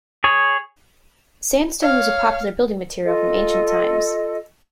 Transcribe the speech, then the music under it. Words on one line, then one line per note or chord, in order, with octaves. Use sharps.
Sandstone was a popular building material from ancient times.
G#4 C#5
C#5 F5
F4 A4 D#5